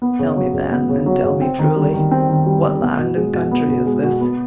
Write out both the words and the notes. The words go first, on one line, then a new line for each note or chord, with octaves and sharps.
Tell me, then, and tell me truly, what land and country is this?
B3
C#3
F#3
C#3
B3
C#3
F#3
C#3
C4
D#3
G3
D#3
C4
D#3
G3
D#3
B3
B2
G#3
B2
B3
B2
G#3
B2
B3